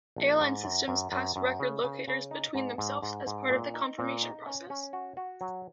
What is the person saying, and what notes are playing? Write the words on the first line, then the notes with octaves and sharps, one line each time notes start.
Airline systems pass record locators between themselves as part of the confirmation process.
A#1
G#2
F#2
F#2
F#2
F#2
C#3
C#3
C#3
D#4
G#2
G#2
G#2
G#2
A#2
D#4
A#2
D#4
C#4
C#4
F#4
F#4
F#3